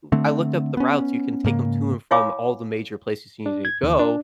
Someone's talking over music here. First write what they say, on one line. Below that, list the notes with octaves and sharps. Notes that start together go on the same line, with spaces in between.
I I I looked up the routes, you can take 'em to and from all the major places you needed to go,
D3 A3 C4
B3 C#4
G#2 C#3 A#3
E4 C#5 F5 G#5 B5 D6
D4
G#6
D#2
D4